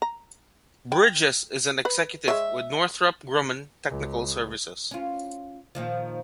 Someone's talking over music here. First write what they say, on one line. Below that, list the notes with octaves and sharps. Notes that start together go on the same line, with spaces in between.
Bridges is an executive with Northrop Grumman Technical Services.
A#5
G5
B4 B5
G#3 C#5 E5
C#2
C#4 F4
A#2 D#3 F3